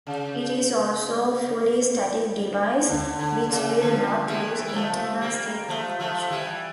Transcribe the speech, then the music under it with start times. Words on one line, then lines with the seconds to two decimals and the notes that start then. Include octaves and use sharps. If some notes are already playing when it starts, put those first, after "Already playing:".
It is also a fully static device, which will not lose internal state information.
0.07 C#3
2.87 D3
3.19 D3
3.49 C#3 E3
3.81 D3 F3
4.27 E3 G3
4.66 G3
4.75 F3 A3
5.21 G3 A#3
5.68 F3 A3
5.99 F3 A3
6.30 E3 G3